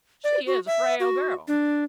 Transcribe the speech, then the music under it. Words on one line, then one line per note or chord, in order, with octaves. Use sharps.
She is a frail girl.
D5
F#4
E5
F#4
D4